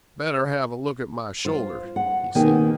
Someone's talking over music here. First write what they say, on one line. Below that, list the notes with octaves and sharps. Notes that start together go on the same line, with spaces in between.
'Better have a look at my shoulder,' he said.
F4 C5
F#5
B2 D#3 A#3 C4 G4 G#5